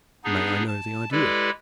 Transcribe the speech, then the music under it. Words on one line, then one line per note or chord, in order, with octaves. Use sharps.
"May I know the idea?"
B3 D4 D#4 G#4
A5
G#3 E4 G4 A4 B4 D5